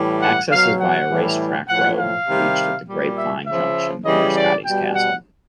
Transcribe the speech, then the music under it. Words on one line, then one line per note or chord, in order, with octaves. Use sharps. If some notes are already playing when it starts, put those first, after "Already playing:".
Access is via Racetrack Road, reached at the Grapevine Junction near Scotty's Castle.
Already playing: A2 E3 G3
F#5
B2 F#3 F5
F#5
A2 E3 G3
A2 F3 F#5
F5
C3 D#3 G3
A#2 G3
E5
C#3 F3 E5
C#3 E3 G3 D#5
D5
B2 G3 G5
F#5